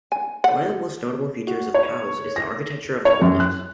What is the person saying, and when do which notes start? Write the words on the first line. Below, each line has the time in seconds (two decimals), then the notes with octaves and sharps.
One of the notable features of Pal's is the architecture of the buildings.
0.12 G#5
0.44 F#5
1.47 F#4
1.74 C#5
2.36 A#6
3.05 C#5
3.22 F#2
3.40 F#6